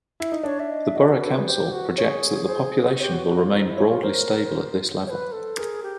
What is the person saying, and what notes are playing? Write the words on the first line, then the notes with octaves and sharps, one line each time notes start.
The Borough Council projects that the population will remain broadly stable at this level.
E4
D#4
D4 C#5
E5
D#5
E5
F#4 D#5
A#4
A4 B4
G#4
G4 C5
F#4
G#4 C#5
C5
F#4
G4 C#5
F#4
F#4
F4
D#4 C5
E4
C#5
F4
A#4 C5
C#5
B4
A4
G#4 A#4
G4